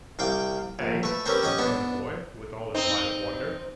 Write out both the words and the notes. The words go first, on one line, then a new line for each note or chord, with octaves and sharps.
'EH?' returned the boy with all his might of wonder.
C2 F5 G5 D6
A#1
A3 B4
C4 C#4 G4 A#4 B4
C#4 G4 D#5 F#5
B3 D4
C4 D#4